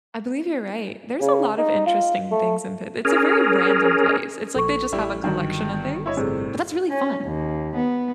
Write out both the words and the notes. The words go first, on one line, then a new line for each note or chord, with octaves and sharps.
I believe you're right. There's a lot of interesting things in Pitt it's a very random place. It's, like, they just have a collection of things, but that's really fun.
C#3
D#4
F4
A3
C#4 G#4 A#4
A#1 A4 C#6
A1 G3 E4
G1 G2 D#3 F#3
E4 C#5 D#5
A2 C3 G3 G4 G#4
C#4
D#2
B3